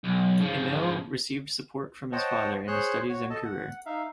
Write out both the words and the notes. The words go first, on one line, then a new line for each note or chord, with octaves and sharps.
Emil received support from his father in his studies and career.
B1
C#3 F3
C5 C#5 D#5 F#5 G5 A5
G#4 C5 C#5 C6 F#6
F#4 C#5
A4 D#5 A5
F#5
D#4 E5 F5